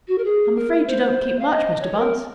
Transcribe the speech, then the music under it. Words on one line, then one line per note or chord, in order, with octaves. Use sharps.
"I'm afraid you don't keep much, Mr. Bunce."
F#4
A#4
G#4
A#4
C5
F5
D#5
C#5
A#4